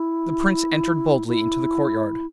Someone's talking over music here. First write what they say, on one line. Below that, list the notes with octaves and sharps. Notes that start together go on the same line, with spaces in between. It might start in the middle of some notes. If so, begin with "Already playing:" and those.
The Prince entered boldly into the courtyard.
Already playing: E4
E4